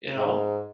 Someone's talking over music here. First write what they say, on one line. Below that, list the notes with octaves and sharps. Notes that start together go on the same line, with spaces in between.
you know?
G#2